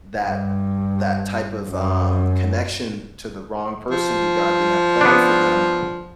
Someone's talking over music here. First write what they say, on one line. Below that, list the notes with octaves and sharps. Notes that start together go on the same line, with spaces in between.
that l that type of, um, connection to the wrong person who God didn't have planned for them,
G2
F#2
F3
B3 D4